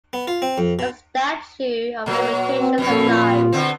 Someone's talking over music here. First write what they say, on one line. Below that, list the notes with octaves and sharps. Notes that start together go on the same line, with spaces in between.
A statute of limitations applies.
B3
F4
C4
F2
B2
A#2 F#3
C4
F2 B2 C#4
A#2 A4
F4
B2 D3 C4